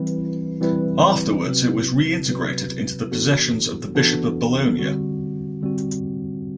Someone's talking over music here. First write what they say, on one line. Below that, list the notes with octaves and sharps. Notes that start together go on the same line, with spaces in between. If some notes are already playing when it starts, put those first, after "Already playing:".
Afterwards it was reintegrated into the possessions of the Bishop of Bologna.
Already playing: E3 G3 C4 E4 B4
E3 G3 C4 E4 B4
C3 F#3 C4 F#4 B4
C3 F#3 C4 F#4 B4
E3 B3 D4 F#4 A4
E3 B3 D4 F#4 A4
D3 G3 C4 F#4
D3 G3 C4 F#4